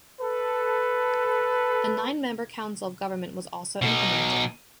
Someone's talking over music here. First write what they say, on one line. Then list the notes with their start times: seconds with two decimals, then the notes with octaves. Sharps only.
A nine-member council of government was also implemented.
0.21 A4 B4
3.82 B2 D#4